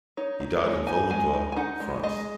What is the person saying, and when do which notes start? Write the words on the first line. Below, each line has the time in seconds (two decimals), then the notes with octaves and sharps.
He died in Valmondois, France.
0.17 D#4 C#5
0.40 D#4
0.63 G#3 C#5
0.87 D#4 G#5
1.10 G#3 G#5
1.33 D#4
1.52 G#5
1.56 D#4 F#5
1.80 G#3
2.03 G#3 D#5